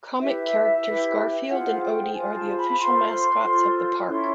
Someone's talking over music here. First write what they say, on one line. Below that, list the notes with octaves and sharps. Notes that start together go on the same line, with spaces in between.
Comic characters Garfield and Odie are the official mascots of the park.
E4 G4 B4 E5
E4 G4 B4
F4 G#4 C5 F#5
F#5
G5
F4 G#4 C5 G#5
A5
B5
F4 A4 C5 C6
F4 A4 C5
C#4 E4 A4 C#5 C6